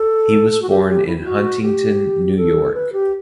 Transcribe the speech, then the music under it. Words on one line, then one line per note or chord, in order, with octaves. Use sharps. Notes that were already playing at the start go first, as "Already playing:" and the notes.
He was born in Huntington, New York.
Already playing: A4
A4
F#4
G4
G4
E4
E4
F#4
G4
A4
B4
G4